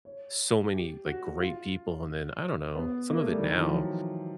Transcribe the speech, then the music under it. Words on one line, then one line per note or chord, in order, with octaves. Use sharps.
so many, like, great people, and then, I don't know, some of it now
C#5
G4
F#4
F4
B3
A#3
A3
G3
D#3
E3
F3
F#3